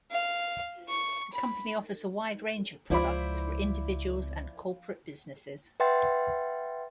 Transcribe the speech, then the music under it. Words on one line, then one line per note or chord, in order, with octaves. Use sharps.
The company offers a wide range of products for individuals and corporate businesses.
F5
C#6
B5
C#2 F3 E4 C5 D5 B5
B4 E5 F#5 G5 C6 A6